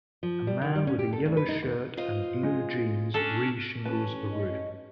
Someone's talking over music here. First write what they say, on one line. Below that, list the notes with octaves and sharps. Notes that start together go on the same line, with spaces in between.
A man with a yellow shirt and blue jeans re shingles a roof.
F3
G3
D#3
G3
C#4
G4
A4
D2
B4
D#4
D#2
F4 C5 D#5
G#3
C#4 D4 A4
A1 C#4 B4 A5
D#5